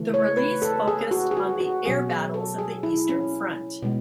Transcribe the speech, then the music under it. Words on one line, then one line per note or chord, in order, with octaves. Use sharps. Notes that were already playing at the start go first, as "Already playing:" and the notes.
The release focused on the air battles of the Eastern Front.
Already playing: C#3 E3 A3
C#5
B4
A4
G#4
F#4
G#4
F#4
F#4
B2 F#3 C#4 G#4
A4
G#4
E4
C#4
B2 G#3